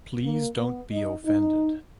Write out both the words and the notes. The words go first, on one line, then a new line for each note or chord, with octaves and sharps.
Please don't be offended.
A#3
B3
D#4
D#4